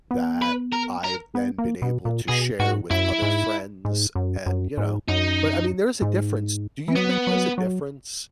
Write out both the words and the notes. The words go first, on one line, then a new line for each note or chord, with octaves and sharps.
that I've then been able to share with other friends and, you know but, I mean, there's a difference. Do you think there's a difference
B3
B4
A#4
A#4
B3
A#3
B2
A#2
B2 G#4
G#2 F#4
F#2 E4
G#2
G#2
F#2
F#2
G#2
F#2 D#4
G#2
E3
F#3 B3
F#3
F#3